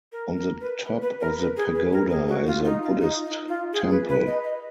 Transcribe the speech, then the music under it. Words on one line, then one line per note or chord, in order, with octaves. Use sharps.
On the top of the pagoda is a Buddhist temple.
A#4
A#4
B4
B4
B4
A#4
B4
G#4
B4
A#4
G#4
F#4
F4
D#4
F4
D#4
D#4
F4
G#4
B4
B4
D#5
D#5